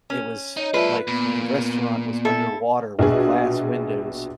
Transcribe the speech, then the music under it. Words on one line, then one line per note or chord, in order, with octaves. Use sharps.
it was like the restaurant was underwater with glass windows.
C#4
D#4 C#5 D#5
G#3 F4 A4 B4 D5 E5
A#2 B3
E4 A4
A#1 B2 F#4 G#4